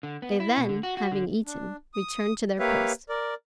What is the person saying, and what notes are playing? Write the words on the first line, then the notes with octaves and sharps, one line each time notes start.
They then, having eaten, returned to their post.
D3
B3
E4
B2
D3
F#4
F#4
D3
D4
D#6
A#3 G4 B4 C#5 E5 F5
A#4 D5